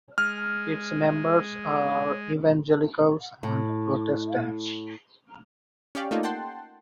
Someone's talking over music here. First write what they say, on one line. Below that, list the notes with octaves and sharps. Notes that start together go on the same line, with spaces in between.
Its members are Evangelicals and Protestants.
G#3 F6
A2
C#4 G4 D5 F5
A3 A#3 D#4 F4
F#5 G5 A5 C6